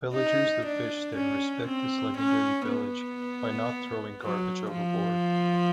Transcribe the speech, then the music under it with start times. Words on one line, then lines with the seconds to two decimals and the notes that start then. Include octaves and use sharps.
Villagers who fish there respect this legendary village by not throwing garbage overboard.
0.14 D#4
0.65 D4
1.16 C#4
1.67 C4
2.18 C#4
2.68 B3
4.22 F#3
4.72 F3